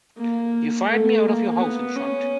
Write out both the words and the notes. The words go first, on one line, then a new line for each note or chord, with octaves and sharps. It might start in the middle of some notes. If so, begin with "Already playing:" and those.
You fired me out of your house, in short.
A#3
A3
A#3
B3
C#4